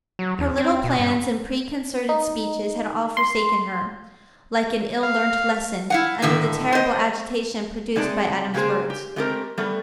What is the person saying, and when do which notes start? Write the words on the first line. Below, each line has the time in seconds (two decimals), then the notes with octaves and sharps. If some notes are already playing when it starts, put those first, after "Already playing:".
Her little plans and preconcerted speeches had all forsaken her, like an ill-learnt lesson, under the terrible agitation produced by Adam's words.
0.19 F#3
0.39 E2
0.58 C4
0.84 B2
0.99 G2
2.09 D#4
3.17 C6
5.03 F5
5.90 E4 F5 F#5
6.22 A2 D3 D#3 E5
6.72 C5 D#5
7.96 C3 G#3 D#4 D5 A5
8.54 C#3 G#3 A#3 G4 G#4 C5
8.90 G4
9.16 G#3 A3 C4 G4 A4 A#4
9.58 G3 A3 B3